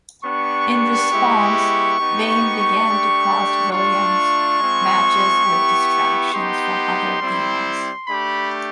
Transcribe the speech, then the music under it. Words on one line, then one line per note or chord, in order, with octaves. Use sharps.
In response, Vaine began to cost Williams matches with distractions from other Divas.
B3 D4 G4 C#6
G#3 B3 E4 G4
B3 D#4 G4
A3 D4 G4
A3 D4 F4 C#6
G#3 C4 F4
B3 E4 G4
B3 D#4 G4 C6
G3 C4 E4
A3 D4 G4 B5